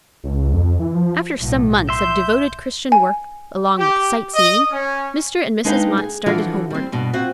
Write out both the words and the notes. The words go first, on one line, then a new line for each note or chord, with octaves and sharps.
After some months of devoted Christian work, along with sight-seeing, Mr. and Mrs. Mott started homeward.
C#2
F2
E3
F3
B1 A2
E5 C6 G6
G#5
G4
D#5
C#4
G#3 D4 D#4 B4 F5 G5
G#4
D3 E3 F3 D4 F4 F#4
G3 C4
G2 B2
C4 F4 F#4